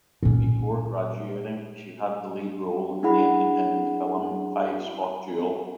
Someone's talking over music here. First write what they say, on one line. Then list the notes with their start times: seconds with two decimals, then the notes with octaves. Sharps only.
Before graduating, she had the lead role in the independent film "Five Spot Jewel".
0.23 A#2 C#4
3.03 D4 E4 G#4 F#5 B5